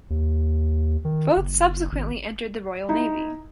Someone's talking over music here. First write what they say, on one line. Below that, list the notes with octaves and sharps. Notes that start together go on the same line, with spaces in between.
Both subsequently entered the Royal Navy.
D#2
D#3
F#1
G#1
D#4 E4